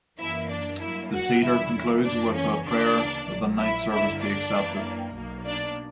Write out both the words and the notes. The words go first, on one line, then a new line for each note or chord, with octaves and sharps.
The Seder concludes with a prayer that the night's service be accepted.
F#2 E3 A#3 E4 E5
D4 D5
G2 F#3 A#3 E4 E5
F#4 F#5
E2 D3 G3 E4 E5
F#2 E3 A#3 D4 D5
C#4 C#5
D2 C#3 E3 A#3 D4 D5
A#1 A#2 F#3 A#3
E4 E5
G2 D3 A#3 E4 E5
D4 D5
F#2 E3 A#3
B1 B2 A#3
D4 D5